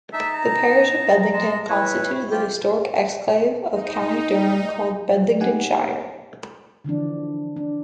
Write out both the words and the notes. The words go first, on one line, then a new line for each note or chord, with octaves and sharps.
The parish of Bedlington constituted the historic exclave of County Durham called Bedlingtonshire.
D#4 E5 A5
A#5
G#3 A5
E4 B4 C#5
F4 G4 G5
D#4
A#3 D#4 G4 F#5 G#5
D3 E3 F3 D4
D4